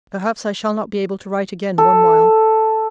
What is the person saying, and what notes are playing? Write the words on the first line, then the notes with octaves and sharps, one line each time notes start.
Perhaps I shall not be able to write again one while.
A4